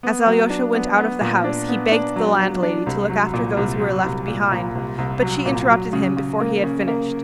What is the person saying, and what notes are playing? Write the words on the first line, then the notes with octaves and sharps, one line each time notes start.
As Alyosha went out of the house he begged the landlady to look after those who were left behind, but she interrupted him before he had finished.
B3
F#3
D4
B3
B3
A#2
D4
B3
D4
F#3
F#3
D4
C2
F#3
A#2
C2
F#3
C2
A#2
A#2
C2
C2
F#3
A#2
F#3
C#3
C#3
A#3
C#3
A#3